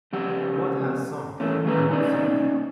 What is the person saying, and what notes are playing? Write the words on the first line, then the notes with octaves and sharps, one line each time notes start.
What has sunk, cannot sink.
C#3 F3 G4 F#5
E3 A3 A#3 C#4
A2 D#3 C#4 G#4 B4 A#5
A#3 C#4 D#4 G4 D5 D#5